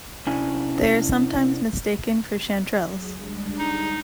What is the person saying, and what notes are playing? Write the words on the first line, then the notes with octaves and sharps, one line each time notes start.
They are sometimes mistaken for chanterelles.
C3 C#4 D4 E4 G#5
F#3 G#4
G3 G#3 D4
D#4